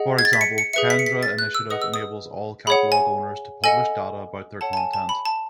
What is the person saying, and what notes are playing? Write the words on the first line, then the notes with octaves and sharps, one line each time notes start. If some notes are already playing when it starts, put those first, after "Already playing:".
For example Kendra Initiative enables all catalogue owners to publish data about their content.
Already playing: G#4 D#5 F#5
G#6
A6
B6
C#7
C#7
G#4 B4 E5 C#7
B6
C#7
B6
A6
F#6
E6
G#4 B4 D#5 F#5 D#6
E6
D#6
G#4 C#5 F#5 B5
G#5
A4 D#5 F#5 G#5
A4 C#5 F#5 A5
A5
G#5
A5
B5
A5